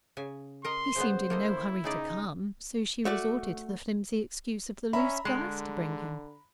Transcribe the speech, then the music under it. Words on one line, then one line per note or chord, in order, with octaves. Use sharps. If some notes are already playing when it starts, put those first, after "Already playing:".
He seemed in no hurry to come, so she resorted to the flimsy excuse of the loose girth to bring him.
C#3 G#5
A#4 D#5 C6
C#3 G#3 B3 C5
A#3 E4 A4 D#5
C#3 D#4 G#4 D5
A3 F#4 D5
C#4 E5 A#5 B5
D3 G#3